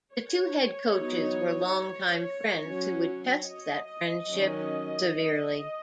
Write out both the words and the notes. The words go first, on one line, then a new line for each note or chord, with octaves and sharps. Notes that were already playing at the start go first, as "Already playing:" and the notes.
The two head coaches were longtime friends who would test that friendship severely.
C#5
F#3 B3 D#4
F#3 C#4
D#5
D#3 F#3 C#4